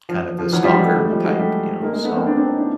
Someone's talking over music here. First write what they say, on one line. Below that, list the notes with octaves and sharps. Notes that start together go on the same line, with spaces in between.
kind of the stalker type, you know? So,
F3
F3
E3 F#3
F3 G3
F#3 G#3
G3 A3
G3 A3
G#3
F3 G3
F#3 G#3
G3 A3
G#3 A#3
G#3 A#3
A3 B3
A#3 C4
C4 D4
C4 D4
C#4 D#4
D4 E4